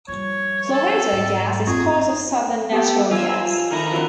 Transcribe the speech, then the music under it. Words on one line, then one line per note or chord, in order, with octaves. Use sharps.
Florida Gas is part of Southern Natural Gas.
F3 G3 C#5
A4
G#2
F#1 C4 F4 G#4
B3 G4 A4
F3 F4 G#5 E6
D#3 F3 A3 D#4 E4 A#5
F3 F#3 C#4 E4 A#4 F#5